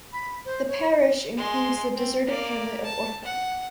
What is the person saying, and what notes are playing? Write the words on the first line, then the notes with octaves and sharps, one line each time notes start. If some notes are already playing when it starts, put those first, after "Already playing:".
This parish includes the deserted hamlet of Orthorpe.
B5
C5
C#5
G#3 C6
C4
A#3 D5
A5
F#5